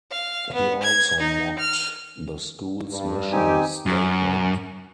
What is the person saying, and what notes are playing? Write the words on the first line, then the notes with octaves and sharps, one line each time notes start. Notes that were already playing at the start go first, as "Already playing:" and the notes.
He also mocked the school's mission statement.
F5
B3
G#6
D#4
F6
G2
D#3 C4 D#4 G4 G#5
F#2